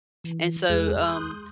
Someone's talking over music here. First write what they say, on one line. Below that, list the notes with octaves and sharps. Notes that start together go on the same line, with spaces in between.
And so, um,
E3
E2 G#3 G#4 F#6
C6 D#6 F#6 G6